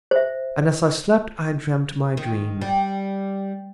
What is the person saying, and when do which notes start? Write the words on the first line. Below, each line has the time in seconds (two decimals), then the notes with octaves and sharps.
And as I slept I dreamed my dream.
0.11 C5 E5
2.17 D#3
2.61 G3